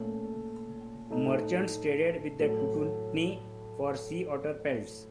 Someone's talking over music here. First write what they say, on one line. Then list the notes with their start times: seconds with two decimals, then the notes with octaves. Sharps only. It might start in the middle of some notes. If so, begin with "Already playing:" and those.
Merchants traded with the Tututni for sea otter pelts.
Already playing: A#2 A3 C#4
1.10 A2 A3 D#4
2.39 A2 F#3 A3